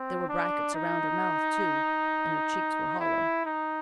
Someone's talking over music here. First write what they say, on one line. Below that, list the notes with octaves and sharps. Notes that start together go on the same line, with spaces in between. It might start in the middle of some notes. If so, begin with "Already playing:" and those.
There were brackets around her mouth too, and her cheeks were hollow.
Already playing: C4
D4
D#4
E4
D#4